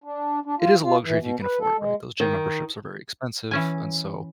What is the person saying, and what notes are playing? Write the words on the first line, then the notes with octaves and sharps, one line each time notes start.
it is a luxury if you can afford it, right? Those gym memberships are very expensive, and so
D4
D4
F4
F4
E3
B2
B4
A4
G#3
D#3
E3 C#4 G#5